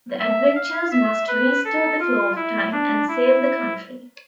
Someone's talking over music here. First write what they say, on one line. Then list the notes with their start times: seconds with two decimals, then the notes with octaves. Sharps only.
The adventurers must restore the flow of time and save the country.
0.19 E5
0.55 F5
0.91 E5
1.28 B4
1.64 A4
2.00 F4
2.36 E4
2.72 D4
3.08 E4